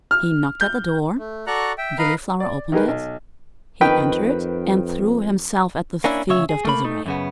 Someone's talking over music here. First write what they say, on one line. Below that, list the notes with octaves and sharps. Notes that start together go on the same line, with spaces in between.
He knocked at the door, Gilliflower opened it; he entered, and threw himself at the feet of Desiree.
F6
G6
A3
F#4 A4 D5 A#5 C#6 F#6
E5 G5
A#4 B4 D#5 F5 A#5 B5
D5
D#3 D#4 G4 G#4 A#4 B4
B1
F2 D#3 B4 G5
A#3 C#4 D4 E4
D2 C#3 C#5 E5
G#4
A3 A#3 B5
A3 D#4
F#2 C#3 B3